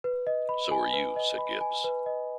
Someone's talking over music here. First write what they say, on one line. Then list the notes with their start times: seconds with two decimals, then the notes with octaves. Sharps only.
"So are you," said Gibbs.
0.04 B4
0.27 D#5
0.49 B5
0.71 G#5
0.94 B4
1.16 D#5
1.38 B5
1.61 G#5
1.84 B4
2.06 D#5